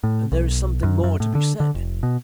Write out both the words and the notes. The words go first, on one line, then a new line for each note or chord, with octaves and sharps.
And there is something more to be said.
A2
B1
F#2
F#2
A2
D3
D3
F1
B2